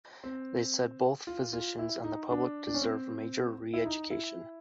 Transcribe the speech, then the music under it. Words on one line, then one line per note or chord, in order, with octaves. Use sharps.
They said both physicians and the public deserve major re-education.
C4
F4
F4
E4
D#4
D4
D4
C#4
C4
E4
D#4
E4